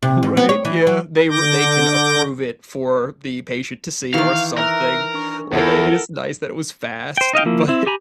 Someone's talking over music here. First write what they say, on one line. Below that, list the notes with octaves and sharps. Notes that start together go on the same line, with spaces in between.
Right? Yeah, they r they can approve it for the patient to see or something. Like, uh, it is nice that it was fast, but
C3
G#2
B3
C#5
E3
F#3
D3 D6 G6 A#6
D#3 E3 F5
A#4 E5 E6 F#6
D4 C#6
E2 E4 F4 A4 A#4 F#5
C5 G5
D#4 D#5 F5 G5
F3 A#3 E4
C4 E4
G4 G#5 A#5 B5